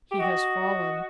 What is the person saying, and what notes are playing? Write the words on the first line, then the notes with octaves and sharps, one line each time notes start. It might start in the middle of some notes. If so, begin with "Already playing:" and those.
He has fallen.
G4
F#4 D#5
D#5